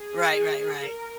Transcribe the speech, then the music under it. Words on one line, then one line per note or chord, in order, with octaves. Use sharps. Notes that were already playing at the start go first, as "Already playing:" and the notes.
Right, right, right.
Already playing: G#4
A#4